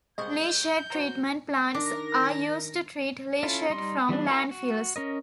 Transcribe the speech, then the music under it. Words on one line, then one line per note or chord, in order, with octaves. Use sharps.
Leachate treatment plants are used to treat leachate from landfills.
C2 G#3 D#5 C#6 G6
F#4 C5 A#5
D#3 D4 A#4 A#6
C#4 E4 F4 A4
G3 D#4 C6
E3 G3 B3 D4
E4 F#4 A#4 B5
F#4
C#4 A#4 D#5